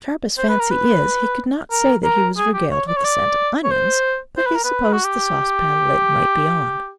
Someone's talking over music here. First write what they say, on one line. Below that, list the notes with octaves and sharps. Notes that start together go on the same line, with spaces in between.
Sharp as fancy is, he could not say that he was regaled with the scent of onions, but he supposed the saucepan lid might be on.
C5
B4
A#4
B4
A#4
A#4
G#4
G4
C#5
D5
C#5
D5
C#5
C5
C5
B4
A#4
B4
F#4
G4